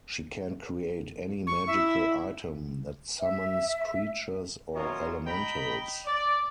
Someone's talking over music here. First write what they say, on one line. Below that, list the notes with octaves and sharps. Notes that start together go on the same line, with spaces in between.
She can create any magical item that summons creatures, or elementals.
C#6
E4 E5
E5
F#2 B2 E3 F4 C#5 A#5
D#5 G5 A#5 B5
D5